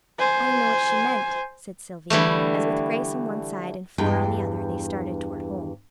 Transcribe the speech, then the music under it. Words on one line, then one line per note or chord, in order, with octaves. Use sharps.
"I don't know what she meant," said Sylvia as, with Grace on one side and Flora on the other, they started toward home.
C5 G#5
D3 E3 G3 A3
E2 G2 G5